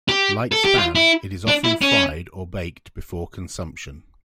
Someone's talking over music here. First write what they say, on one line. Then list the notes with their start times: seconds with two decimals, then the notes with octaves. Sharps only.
Like Spam, it is often fried or baked before consumption.
0.09 G4
0.52 A4
0.65 G4
0.78 F4
0.95 E4
1.48 D4
1.65 E4
1.82 C#4